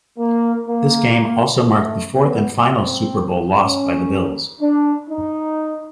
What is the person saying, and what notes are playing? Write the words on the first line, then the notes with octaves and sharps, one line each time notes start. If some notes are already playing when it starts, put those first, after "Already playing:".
This game also marked the fourth and final Super Bowl loss by the Bills.
A#3
A#3
A3
B3
C4
C#4
D4
D#4